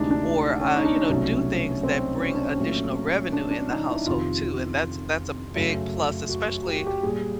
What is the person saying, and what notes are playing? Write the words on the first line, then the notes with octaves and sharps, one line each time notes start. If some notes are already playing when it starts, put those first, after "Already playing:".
or, uh, you know, do things that bring additional revenue in the household too, and that's that's a big plus, especially
Already playing: D2 C3 E3 G#3 D4 D#4
D4
C#4
D#4
D4
C2 B2 F#3 A3 C#4
C4
C#4
D4
C#4
A#2 F#3 A3
D4
D4
D#4
E4
F2 C3 D#3 F4
F#2 C#3 F#3 A3
F#4
G4
F#4
G4
A#2 G3 G#4